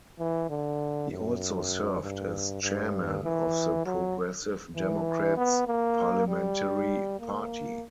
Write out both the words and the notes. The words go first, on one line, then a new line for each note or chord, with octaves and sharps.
He also served as Chairman of the Progressive Democrats Parliamentary Party.
E3
D3
F#2
G2
G2
E3
F#3
E3
B3
A#3
G3
A#3